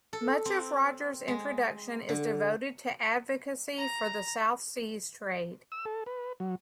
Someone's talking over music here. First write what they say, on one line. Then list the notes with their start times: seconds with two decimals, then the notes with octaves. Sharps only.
Much of Rogers' introduction is devoted to advocacy for the South Seas trade.
0.13 A4
0.45 C4
1.28 G#3
2.09 D3
3.79 A#5
5.72 E6
5.85 A4
6.06 B4
6.40 F#3